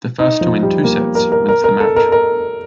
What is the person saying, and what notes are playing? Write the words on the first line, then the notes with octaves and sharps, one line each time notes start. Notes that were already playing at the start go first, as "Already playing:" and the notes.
The first to win two sets wins the match.
D#4
F3
G3
A#3
A#4
A#4
A#4
A#4
A4
A#4
A#4